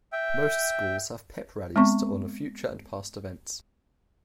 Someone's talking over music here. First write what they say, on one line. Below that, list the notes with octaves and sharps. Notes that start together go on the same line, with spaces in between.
Most schools have pep rallies to honor future and past events.
E5 G5
G#3 B3 C4 C#6